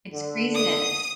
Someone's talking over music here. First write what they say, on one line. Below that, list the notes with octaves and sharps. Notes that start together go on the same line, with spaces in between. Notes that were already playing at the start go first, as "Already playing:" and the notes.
It's craziness.
D3
D#6